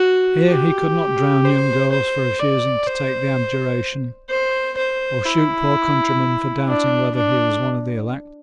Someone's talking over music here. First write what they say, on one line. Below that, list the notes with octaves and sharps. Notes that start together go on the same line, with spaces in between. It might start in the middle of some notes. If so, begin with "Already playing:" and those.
Here he could not drown young girls for refusing to take the abjuration, or shoot poor countrymen for doubting whether he was one of the elect.
Already playing: F#4
G4
C5
C5
D5
C5
C5
C5
E4
D4
D4